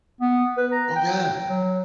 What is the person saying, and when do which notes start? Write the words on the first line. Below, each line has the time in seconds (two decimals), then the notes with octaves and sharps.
Oh yeah.
0.21 B3
0.57 B4
0.72 A#5
0.96 G5
1.49 F#3